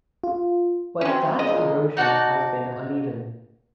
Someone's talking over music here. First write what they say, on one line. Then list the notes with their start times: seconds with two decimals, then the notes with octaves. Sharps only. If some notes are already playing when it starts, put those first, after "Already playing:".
But that erosion has been uneven.
0.24 F4
1.01 F#3 C4 C#4
1.39 C#2 A#2 D#5
1.97 D#4 F#4 D5 A5